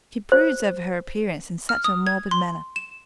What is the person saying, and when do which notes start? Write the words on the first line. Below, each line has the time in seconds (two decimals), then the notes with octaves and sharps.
She broods over her appearance in such a morbid manner.
0.32 C5
1.69 F6
1.84 D#6
2.07 G#6
2.31 C6
2.76 E7